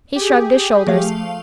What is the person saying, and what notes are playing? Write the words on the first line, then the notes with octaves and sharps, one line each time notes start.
He shrugged his shoulders.
G4 G#4
F3 A3 F5